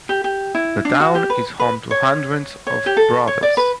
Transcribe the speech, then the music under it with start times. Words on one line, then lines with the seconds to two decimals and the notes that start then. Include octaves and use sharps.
The town is home to hundreds of brothels.
0.09 G4
0.24 G4
0.55 E4
0.85 D4
1.00 F#4
1.15 G4
1.30 B4
1.60 B4
1.91 C#5
2.67 C#5
2.86 G4
2.97 A4
3.28 C#5
3.43 D5
3.57 B4